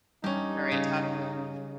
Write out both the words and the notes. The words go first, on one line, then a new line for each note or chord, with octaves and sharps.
Harriet Tubman.
G2 C#4 D#4 G4
C#3